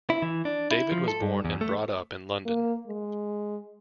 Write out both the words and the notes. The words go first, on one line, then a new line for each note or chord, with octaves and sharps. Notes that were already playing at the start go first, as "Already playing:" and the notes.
David was born and brought up in London.
E4
E3
D4
E4
F3
A4
G2
E2
A3
A#3
G#3